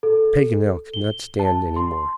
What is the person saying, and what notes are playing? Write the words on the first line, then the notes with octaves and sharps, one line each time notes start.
Paganel could not stand any more.
A4
G7
A5
C6